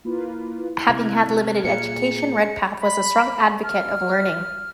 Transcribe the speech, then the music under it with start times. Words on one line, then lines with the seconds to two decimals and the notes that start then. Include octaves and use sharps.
Having had limited education, Redpath was a strong advocate of learning.
0.05 A#3 E4 F4 B4
0.89 C3 F6 F#6 G#6
1.64 A#2 G#4 C#7
2.81 B5
3.64 F6